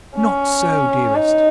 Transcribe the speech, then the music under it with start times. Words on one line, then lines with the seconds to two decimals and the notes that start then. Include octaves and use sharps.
'Not so, dearest.
0.16 C#4
1.16 D#4